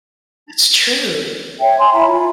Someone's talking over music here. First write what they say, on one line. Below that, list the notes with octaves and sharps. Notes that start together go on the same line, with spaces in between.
That's true.
C#5 E5 G5
G#5 C6
E4 E5 A#5 B5
F4